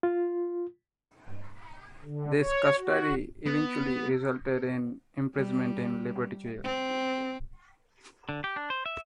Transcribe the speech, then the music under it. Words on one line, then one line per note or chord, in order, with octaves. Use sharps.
This "custody" eventually resulted in imprisonment in Liberty Jail.
F4
D3
C#5
F#4
B3
G3
C4
D3
G4
D4
C5
E5